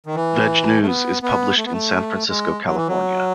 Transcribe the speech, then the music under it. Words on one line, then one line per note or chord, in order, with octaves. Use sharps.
"VegNews" is published in San Francisco, California.
D#3
E3
A3
B3
B3
A3
B3
A3
G#3
F#3
E3
F#3